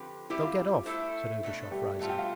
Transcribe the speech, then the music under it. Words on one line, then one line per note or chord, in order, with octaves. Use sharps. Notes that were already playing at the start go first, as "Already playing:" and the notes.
They'll get off,' said Ergushov, rising.
Already playing: D3 F3 C4 G4 B4
G3 C4 E4 G4 C5
F4
A3 E4 A4 C5
B2 A3 D4
G3 G4
B2 A3 C4 F4 A5
G5
F5